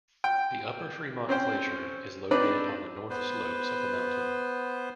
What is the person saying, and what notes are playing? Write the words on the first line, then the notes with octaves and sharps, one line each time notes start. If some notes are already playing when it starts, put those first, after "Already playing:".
The Upper Fremont Glacier is located on the north slopes of the mountain.
G5
C4 C#4 C5 G5
C4 D4 D#4 B4 D5
B3 B4 C5